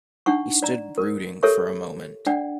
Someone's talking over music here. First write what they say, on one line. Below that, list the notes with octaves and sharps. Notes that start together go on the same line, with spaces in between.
He stood brooding for a moment.
D4 D#4 F#5 C#6
D5 A#5
A#4
G4 A4 A#4 C#5 E5 C#6
D4 D5 F#5 G5